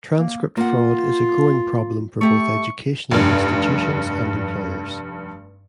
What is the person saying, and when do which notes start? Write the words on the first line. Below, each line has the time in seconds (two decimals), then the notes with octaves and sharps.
Transcript fraud is a growing problem for both educational institutions and employers.
0.18 A#3
0.57 A#3 F4 F#5
2.21 A3 G4 E5 C#6
3.11 F1 G2